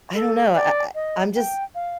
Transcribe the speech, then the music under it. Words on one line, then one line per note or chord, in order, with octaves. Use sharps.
I don't know, I I I'm just
A4
D5
D#5
G5
F5